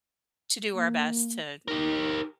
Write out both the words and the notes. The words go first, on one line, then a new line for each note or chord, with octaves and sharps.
to do our best to
A#3
D#4 G4 A#4